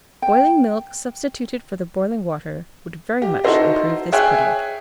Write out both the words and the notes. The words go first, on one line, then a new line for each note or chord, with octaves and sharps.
Boiling milk substituted for the boiling water would very much improve this pudding.
G5
G4
D#4 E4 F#4 A4 C5 D#5
G#4 C#5 E5 G5 G#5 F#6